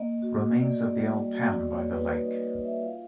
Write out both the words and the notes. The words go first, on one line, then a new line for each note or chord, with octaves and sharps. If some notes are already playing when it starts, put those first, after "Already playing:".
Remains of the old town by the lake.
Already playing: A#3 D#5
F#4
A#3 D5
G3
F#4
D5
A#3 C#5
B4
D#4
D#5
F#4
E5
F4 F5